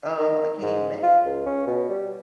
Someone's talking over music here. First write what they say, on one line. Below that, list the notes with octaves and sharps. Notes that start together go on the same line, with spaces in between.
um, I came back
D#3
G#2
F4
C#2
C#4
B2
G3